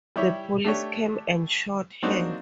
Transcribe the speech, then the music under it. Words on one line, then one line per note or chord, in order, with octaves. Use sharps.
The police came and shot her.
G3 E4 G4 C#5 E5
A3 D4 G4 C#5
F#3 A#3 C4 D4 D#4 F#4